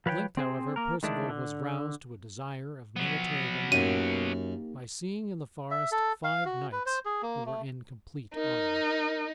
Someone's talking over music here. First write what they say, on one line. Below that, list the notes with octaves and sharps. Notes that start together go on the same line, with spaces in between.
At length, however, Perceval was roused to a desire of military renown by seeing in the forest five knights who were in complete armor.
F3 B4 C#5 F5 G5
C4 G#4 C5
A#3 A#4
D#3 G#3 A3 D4 E4
D3
F3 F#3 B3
F#2 A#3 D#4 G4 D#7
E5
A4
F5
F#4
B4
C5
G#4
A#3
A3
D#4 A#4